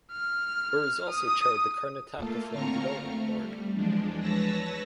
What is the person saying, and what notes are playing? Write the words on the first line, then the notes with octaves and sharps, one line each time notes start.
Urs also chaired the ""Karnataka Film Development Board"".
F6
D#6
A3 A#3 F4 A4
D3 C4 F4 A#5 C#6 F6
A3
G3
E2 F3 G#3 D4
B4 C#5 A5 E6 A#6